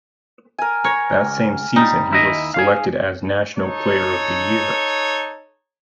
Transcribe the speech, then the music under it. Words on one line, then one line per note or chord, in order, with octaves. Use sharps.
That same season he was selected as National Player of the Year.
A#4 G#5
A#4 C#5
C#2
G3 D#4
D#2 E4 D#5
G#4 F5
D#4 A4 C#5